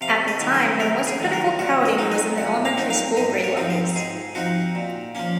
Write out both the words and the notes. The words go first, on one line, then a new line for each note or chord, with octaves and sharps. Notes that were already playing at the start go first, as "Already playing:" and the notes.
At the time, the most critical crowding was in the elementary school grade levels.
C3 F5
D#5
D#3 F#3
C5
C3 A#4
G#4
D#3 F#3
A#4
A#2 F#4
D#5
F#3 C4 D#4
D#5
A#2 F#5
F5
F#3 C4 D#4
F5
G#2 D#5
C#5
F3 C4 D#4
C5
G#2 G#4
F3 C4 D#4 F#4
A#2
F3 A#3 C#4